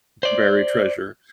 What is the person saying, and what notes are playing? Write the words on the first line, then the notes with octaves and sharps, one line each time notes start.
buried treasure,
C5 D5